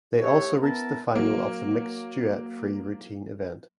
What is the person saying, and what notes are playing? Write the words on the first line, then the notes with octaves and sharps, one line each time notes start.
They also reached the final of the mixed duet free routine event.
A3 G4 C#5
B3 E4 A#4 A5
F#3 A#3